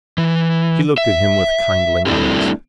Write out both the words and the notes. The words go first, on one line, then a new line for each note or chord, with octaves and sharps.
She looked at him with kindling eyes.
E3
E5
G3 A3 C4 D4 E4 A4